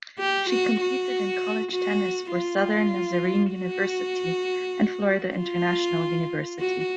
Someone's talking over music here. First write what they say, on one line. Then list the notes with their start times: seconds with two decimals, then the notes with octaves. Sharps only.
She competed in college tennis for Southern Nazarene University and Florida International University.
0.19 G4
0.50 F#4
0.81 F#4
1.72 F#4
2.33 F4
3.54 F#4
5.37 F4
6.59 F#4